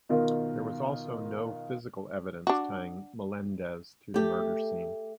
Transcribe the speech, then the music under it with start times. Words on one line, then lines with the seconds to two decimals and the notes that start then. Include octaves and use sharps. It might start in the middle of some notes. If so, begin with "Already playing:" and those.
There was also no physical evidence tying Melendez to the murder scene.
0.09 B2 D#3 F4 A#4
2.47 D4 F#4
4.14 A3 G4